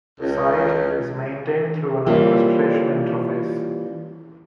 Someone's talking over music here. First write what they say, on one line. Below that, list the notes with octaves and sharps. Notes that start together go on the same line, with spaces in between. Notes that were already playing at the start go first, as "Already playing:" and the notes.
The site is maintained through an administration interface.
C#2
E3 G3 A#3 C4 C#4 F4